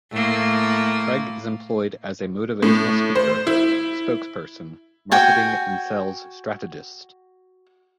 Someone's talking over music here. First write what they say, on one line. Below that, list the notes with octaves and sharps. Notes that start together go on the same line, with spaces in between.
Craig is employed as a motivational speaker, spokesperson, marketing and sales strategist.
A2 A#3
A2
C5
E4
F#4 G5 G#5